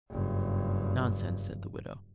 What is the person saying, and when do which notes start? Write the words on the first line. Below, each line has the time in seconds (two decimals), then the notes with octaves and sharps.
"Nonsense," said the widow.
0.11 F#1 G2